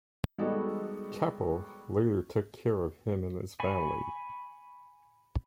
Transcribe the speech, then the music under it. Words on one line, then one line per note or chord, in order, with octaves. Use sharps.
Keppel later took care of him and his family.
G3 G#3 B3 D#4 F#4 A4
G#5 B5 C#6